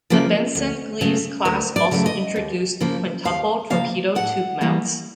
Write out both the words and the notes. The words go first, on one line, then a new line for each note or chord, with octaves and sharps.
The "Benson"-"Gleaves" class also introduced quintuple torpedo tube mounts.
C#3 F3 A#3
D2
C#3 F#3 A3
D2 A#4
D5
C#3 F#3 A3
D#5
D#2
C#3 F3 A#3
D#2 F5
C#3 F3 A#3 F5
A2 F#5
E3 G3 A#3